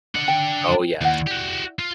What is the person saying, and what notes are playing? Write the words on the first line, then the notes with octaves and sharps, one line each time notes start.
Oh, yes.
D4 D#5 F#5
G5
D#2 E4 D5 F#5
F#4 G4
F4